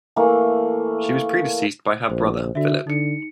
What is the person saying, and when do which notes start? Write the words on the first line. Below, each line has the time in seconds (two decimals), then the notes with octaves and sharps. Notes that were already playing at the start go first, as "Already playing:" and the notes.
She was predeceased by her brother, Philip.
0.16 E3 A3 A#3
2.10 A#1 C5
2.55 D3 F#4 E5
2.87 D3 D#4 C#7